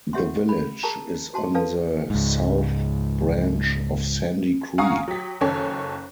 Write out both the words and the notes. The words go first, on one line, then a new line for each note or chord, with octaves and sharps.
The village is on the South Branch of Sandy Creek.
G4 C#5 E5 F#5 C6
B5
G#4 A#4 A5 A#5
F#4 A5 C6
A4 B4 D5 F5 A5
C#2 G#2
F5 F#5 G#5 A#5 C#6 D#6
F#3 G4 B6
F#1 D#3 C#4 A4 C#5